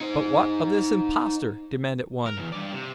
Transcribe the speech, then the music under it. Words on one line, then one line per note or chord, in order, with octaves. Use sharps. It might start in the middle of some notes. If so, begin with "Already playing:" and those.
"But what of this impostor?" demanded one.
D#4 C5
A#4
B1 E2
G2 D5
C3